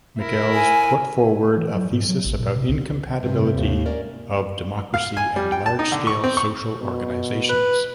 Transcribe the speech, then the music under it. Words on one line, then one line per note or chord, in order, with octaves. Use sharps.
Michels put forward a thesis about incompatibility of democracy and large-scale social organizations.
E4 A#4
G#5
E3
F#3
G#2
F#3
A1
A#2
C3
C2
G2 C3
D#2
C#4 A#4 D5
F5
G#5
G3
G5
A5
D#4
D3
C#6
C4
C#6
B2
B4